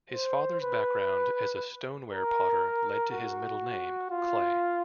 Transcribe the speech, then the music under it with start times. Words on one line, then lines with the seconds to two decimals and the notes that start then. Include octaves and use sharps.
His father's background as a stoneware potter led to his middle name, Clay.
0.11 C5
0.61 B4
2.12 A#4
3.12 F#4
4.11 F4